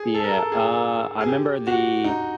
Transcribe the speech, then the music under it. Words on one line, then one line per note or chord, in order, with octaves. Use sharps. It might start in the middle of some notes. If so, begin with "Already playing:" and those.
Yeah, uh, I 'member the,
Already playing: G#4
A4
A#4
A4
G#4
G#4
G4
F#4
D#4